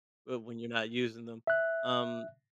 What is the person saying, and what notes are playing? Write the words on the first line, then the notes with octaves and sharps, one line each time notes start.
But when you're not using them, um
E5 F#6